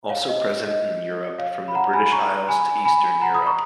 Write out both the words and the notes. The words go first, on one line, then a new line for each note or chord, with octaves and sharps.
Also present in Europe from the British Isles to Eastern Europe.
C#5 F5
D#5
D#5
C#5 F5
B5
F#5 A#5
G#5 B5
A#5 C#6
G#5 B5
G#5 B5
F#5 A#5
B5 D#6
A#5 C#6